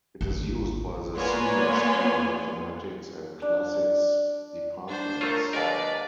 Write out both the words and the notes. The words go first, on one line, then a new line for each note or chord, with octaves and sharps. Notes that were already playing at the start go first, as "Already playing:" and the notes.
It is used by the Senior School Mathematics and Classics Departments.
G#1 D2
A#3 B3 C#5 D5 G#5 C6
D4
D4 C5
A3 F4 A#4 C#5
D#2 F#3 G#3 A#4 B4 D5